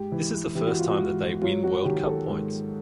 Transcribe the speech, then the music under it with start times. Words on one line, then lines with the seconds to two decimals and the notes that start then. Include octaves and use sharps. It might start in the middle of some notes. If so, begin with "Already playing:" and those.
This is the first time that they win World Cup points.
Already playing: G#2 G4
0.12 E3
0.55 E3 G4
0.67 F#4
0.79 F4
0.91 F#4
0.99 G#2
1.42 F#3 F4
1.64 F#4
1.85 D#3 G4
2.07 A4
2.28 G#2